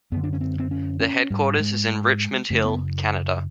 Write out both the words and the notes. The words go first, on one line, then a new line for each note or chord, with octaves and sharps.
The headquarters is in Richmond Hill, Canada.
F#2 D3 B3
D4
C#4
C4
C4
C#4
C#4
G#2 G3
G#3
F#2 C#3 A3
B3